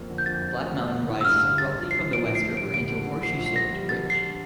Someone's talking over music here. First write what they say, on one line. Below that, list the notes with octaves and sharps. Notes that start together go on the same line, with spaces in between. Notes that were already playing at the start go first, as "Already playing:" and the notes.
Black Mountain rises abruptly from the West River into a horseshoe-shaped ridge.
Already playing: F2 A#3
D3
G6
F2 A6
F2
A3
D3
D3
E4
E6
G2 F6
G1
G1 A6
G1
A#1 C7
A2
D7
A2
A2 C7
G3 D7
D2 D7
D3
D3
A#1 C7
A#1
C7
A#1 A#6
G3
D3 A6
D4 C7